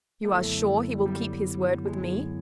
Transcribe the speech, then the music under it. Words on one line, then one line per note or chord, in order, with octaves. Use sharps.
"You are sure he will keep his word with me?"
F#2 D3 F#3 A3 B3 E4
G3
G#3